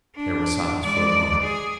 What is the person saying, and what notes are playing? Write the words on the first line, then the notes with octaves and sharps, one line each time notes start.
There was silence for a moment.
D4
G#3 D5
G#4